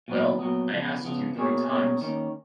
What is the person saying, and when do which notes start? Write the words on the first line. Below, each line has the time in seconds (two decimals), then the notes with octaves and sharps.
Well, I asked you three times.
0.08 A#2 F#3 B3
0.39 A#2 F#3 B3
0.72 C#3 F3 B3
1.04 C#3 F3 B3
1.36 B2 A#3 C#4 G#4 C#5
1.69 B2 A#3 C#4 G#4 C#5
2.01 D#3 A#3 C#4